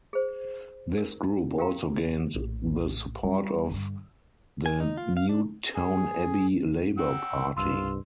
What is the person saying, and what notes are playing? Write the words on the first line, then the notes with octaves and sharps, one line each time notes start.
This group also gained the support of the Newtownabbey Labour Party.
G#4 C5
A#4
G4 A#4 F5 G5 A#5
A#1 A2
G3 F4
G2 D3
G#5
D#4
F4
F5
D4
G#4
F#5 G5 E6
C2 G2 F4 C6 E6